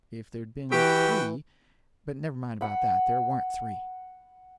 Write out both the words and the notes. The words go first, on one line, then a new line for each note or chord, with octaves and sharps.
If there'd been three--But never mind about that, there warn't three.
E3 F#4 G4 B4 G5
F#5 B5